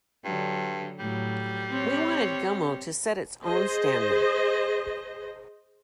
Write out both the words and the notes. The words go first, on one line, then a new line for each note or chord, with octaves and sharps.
We wanted "Gummo" to set its own standard.
G2 D3 F#3
A2 F#3 G3
C4 C#5
G#4 C5 D#5